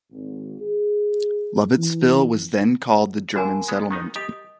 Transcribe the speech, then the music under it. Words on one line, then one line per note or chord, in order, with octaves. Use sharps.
Lovettsville was then called The German Settlement.
G#1
G#4
E3
G2 D3 F#4 A#4 G#5
G#3 B3
D#3 B3 D#4
G4 D#5 D#6